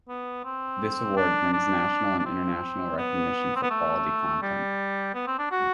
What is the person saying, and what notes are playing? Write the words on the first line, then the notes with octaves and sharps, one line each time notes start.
This award brings national and international recognition for quality content.
B3
C4
D4
D4
D4
C4
B3
C4
B3
A3
G3
B3
C4
D4
F#4